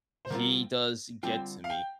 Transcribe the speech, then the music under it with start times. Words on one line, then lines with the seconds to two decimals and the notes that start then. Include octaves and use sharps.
he does get to me.
0.25 C5
0.30 D3 G3 C4 F4 A#4
1.23 D3 G3 C4 F4 G5
1.64 F5
1.70 G5